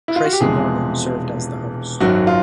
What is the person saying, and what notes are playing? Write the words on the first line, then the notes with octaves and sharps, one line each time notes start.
Tracy Morgan served as the host.
E4
F4
F#4
G4
E1 E2 C3 F3 G#3 G#4
G#1 F#2 D#3 F#3 F#4
F4